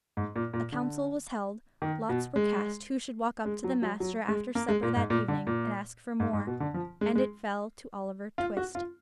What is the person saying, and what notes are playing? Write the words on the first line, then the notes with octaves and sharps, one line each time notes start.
A council was held; lots were cast who should walk up to the master after supper that evening, and ask for more; and it fell to Oliver Twist.
G#2
A#2
A#2
D3
D#3
B2
G#3
G#3
F#3
F#3
F#3
G#3
A#3
G#3
A#2
G#2
A#2
D3
A#2
G#2
G#2
B2
D3
F3
G#3
G#3
F4
F#4
F4